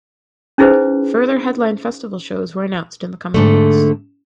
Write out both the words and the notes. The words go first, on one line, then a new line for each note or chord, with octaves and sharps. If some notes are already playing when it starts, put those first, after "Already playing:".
Further headline festival shows were announced in the coming weeks.
C#4 D#4 E4 G#4 B4 C5
G#2 D3 A3